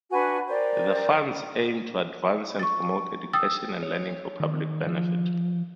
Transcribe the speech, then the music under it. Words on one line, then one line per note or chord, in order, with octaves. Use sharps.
The Funds aim to advance and promote education and learning for public benefit.
D4 F#4 B4 G#5
A#4 C5 D5 G5
C#6 A6
G5 D#6 E6 A6
C#5
D#3
F3